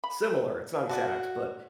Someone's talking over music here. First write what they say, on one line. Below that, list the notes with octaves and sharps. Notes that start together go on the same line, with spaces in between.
similar, it's not exact, but
B5
F#4 B4 D5 A5